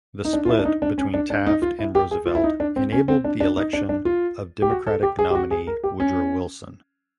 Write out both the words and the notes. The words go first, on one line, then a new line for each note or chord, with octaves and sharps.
The split between Taft and Roosevelt enabled the election of Democratic nominee Woodrow Wilson.
D#4
D4
F4
E4
D4
D#4
D4
C#4
D4
D4
D#4
F4
E4
G4
G#4
F4
E4
D#4
D4
C4
C#4
C4
D4
D4
D#4
D4
D4
F4
G4
F#4
A4
G4
G#4
G4
F#4
G#4
A#4
G4
C#4